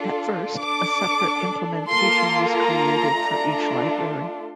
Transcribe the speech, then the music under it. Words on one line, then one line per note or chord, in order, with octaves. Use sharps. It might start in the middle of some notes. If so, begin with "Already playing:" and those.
At first a separate implementation was created for each library.
Already playing: D4 F4 A4
D4 A4 D6
A#3 F4 A4 C6
A#5
A3 D4 F4 A4